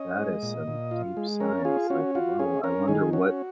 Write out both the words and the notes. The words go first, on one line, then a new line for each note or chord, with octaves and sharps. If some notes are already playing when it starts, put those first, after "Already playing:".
That is some deep science, like, whoa, I wonder what
Already playing: C#4 D#5
G#3
A#2
A#2
F4
G#3
C#4 A#4
F4 G#4
C#4 F#4
F4 F#4
C#4 G#4
C#4 A#4
D#3 G#4
C#4 F#4